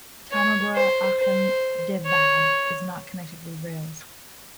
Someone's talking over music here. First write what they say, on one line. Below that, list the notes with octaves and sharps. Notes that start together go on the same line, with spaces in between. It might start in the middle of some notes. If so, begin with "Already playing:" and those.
Tamabur-Ahmedabad is not connected with rails.
C#5
C5
C5
C#5